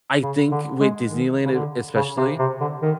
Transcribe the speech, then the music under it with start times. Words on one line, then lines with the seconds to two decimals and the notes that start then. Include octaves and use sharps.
I think with Disneyland, it especially,
0.23 C#3
0.51 D3
0.80 G#3
1.09 D#3
1.45 C#3
1.52 D3
1.96 C#3
2.17 C3
2.39 C3
2.60 D3
2.82 D#3